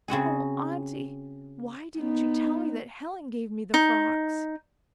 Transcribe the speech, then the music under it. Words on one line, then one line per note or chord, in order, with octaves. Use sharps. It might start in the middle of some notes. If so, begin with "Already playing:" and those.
"Oh, Auntie! why didn't you tell me that Helen gave me the frocks?"
C#3 C4 F#4 G#4
B3 D#4
D#4